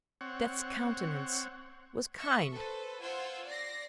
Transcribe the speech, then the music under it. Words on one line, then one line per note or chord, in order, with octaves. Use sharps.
Death's countenance was kind.
C4 C#5 F#5
E5 C#6 C#7
A4 B4 C5
F4 C5 F#5 E6 G#6
D5 A#6 C7